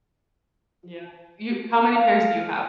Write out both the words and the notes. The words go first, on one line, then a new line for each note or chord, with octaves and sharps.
Yeah. You how many pairs do you have?
F5